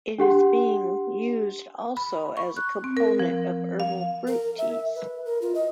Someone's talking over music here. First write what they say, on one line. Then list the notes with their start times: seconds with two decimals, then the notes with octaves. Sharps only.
It is being used also as a component of herbal fruit teas.
0.18 D4 G4 F#5 C6
1.97 B5
2.37 C#6
2.57 F#6
2.84 C4
2.97 A#4
3.19 F3
3.80 F5
4.27 A#4
4.58 E5
4.95 B4
5.25 A#4
5.42 F4
5.55 D#5